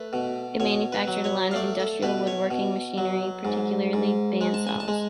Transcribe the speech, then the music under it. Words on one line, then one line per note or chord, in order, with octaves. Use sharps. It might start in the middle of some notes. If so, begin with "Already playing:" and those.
It manufactured a line of industrial woodworking machinery, particularly band saws.
Already playing: A3 B4
B2
B2 C#5
B4
F#3
C#5
F5
A3 D5
A4
B2 B4
C#5
B2
F#3
G#2
G#2
G#3
A5
G#5
A5
G#3